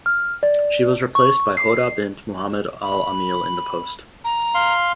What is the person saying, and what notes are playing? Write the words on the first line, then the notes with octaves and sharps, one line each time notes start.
She was replaced by Hoda bint Mohammed Al Amil in the post.
F6
D5
C#6
C7
B5
A#5
F5 C6